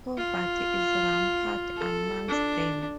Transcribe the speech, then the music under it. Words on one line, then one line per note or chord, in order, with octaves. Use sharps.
Poverty is rampant amongst them.
F4
A4
D4